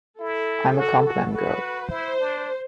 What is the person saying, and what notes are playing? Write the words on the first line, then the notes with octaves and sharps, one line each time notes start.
I'm a Complan Girl!
E4 A4
F#4
F#4
F#4 B4
E4 C5
D4